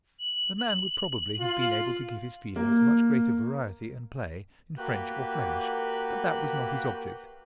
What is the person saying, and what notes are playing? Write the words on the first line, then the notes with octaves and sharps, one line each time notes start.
The man would probably have been able to give his feelings much greater variety and play in French or Flemish, but that was not his object.
F#7
F4
A#3
A#3 F#4 G4 B4 F#6 G6